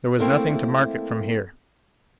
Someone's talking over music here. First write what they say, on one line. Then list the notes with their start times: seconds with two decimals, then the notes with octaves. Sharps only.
There was nothing to mark it from here.
0.19 A3 A#3 C4 E4 A4 A#4